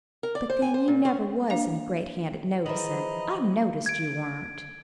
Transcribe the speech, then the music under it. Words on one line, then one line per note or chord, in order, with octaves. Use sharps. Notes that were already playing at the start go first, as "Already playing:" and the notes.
But then you never was any great hand at noticin', I've noticed you weren't.
A#4
D5
C5
G#5
C5
A#2
C#4
A#3 D4 F5
E3 F3 E4 G#4 C5 D#5 A#5 B5
G#6 D7